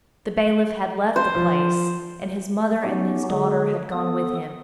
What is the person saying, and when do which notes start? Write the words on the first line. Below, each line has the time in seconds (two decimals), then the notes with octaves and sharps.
The bailiff had left the place; and his mother and his daughter had gone with him.
1.16 C5
1.35 F3
2.82 F#3 B3 C#4 D#4 F#4 G4
3.30 D3 G#3 G#4
3.92 B3 A4 D#6